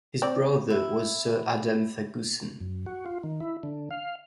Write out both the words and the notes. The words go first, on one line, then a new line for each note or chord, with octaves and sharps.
His brother was Sir Adam Ferguson.
C4 D5
E4
F#2
F#4
F4
D#3
E4
D3
F5